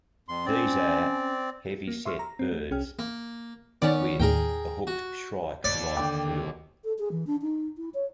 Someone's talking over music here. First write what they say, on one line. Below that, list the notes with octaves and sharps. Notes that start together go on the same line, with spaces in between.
These are heavyset birds with a hooked shrike-like bill.
F2 C6
C4 C#4 D5
A#3
E5 C6 C#6 E6 F6
A#5
C4
A3
C2 C#4 G#4 G5 F6
A#3
D#3 B3 C#4 D5
D#2 A2 G#4 A#4 G5
F#4
D#2 D5
D3 G5 D6
A4
G#4
E3
D4
D#4
E4
C#5